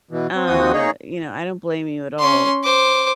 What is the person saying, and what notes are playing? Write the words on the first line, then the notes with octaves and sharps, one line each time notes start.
uh you know, I don't blame you at all.
B2 E3
C4
D#2 F3 C4 F#4 D#6
A#3 D#4 G#4 C#5
C#4 C6
C5 D6